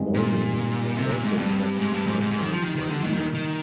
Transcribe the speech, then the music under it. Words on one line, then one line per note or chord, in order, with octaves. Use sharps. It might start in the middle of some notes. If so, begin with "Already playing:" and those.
Waring was also capped five times by England.
Already playing: G2 D#3 G#3 C4 G4
A#2
C3
A#2
G#2
G2 G3 C4 G4
G#2
G2
G#2
G#2
G#2
D#3
F3
D#3
D#3
D3
A#2 D#3 G3 A#3
D#3
D#3